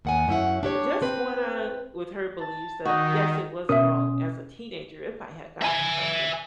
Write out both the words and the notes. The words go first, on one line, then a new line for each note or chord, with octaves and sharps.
just going on with her beliefs that, yes, it was wrong as a teenager if I had gotten pregnant.
D#2 F#5 G#5
F#2 C#4 E4 F#5
D4 G4 C#5
C4 B4
A5
D#3 D#4 F#4
B2 C#4 A#4 E5 D#6
E5 G#5